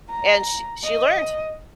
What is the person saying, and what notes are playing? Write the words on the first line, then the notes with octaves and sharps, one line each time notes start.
And sh she learned.
A#5
D#5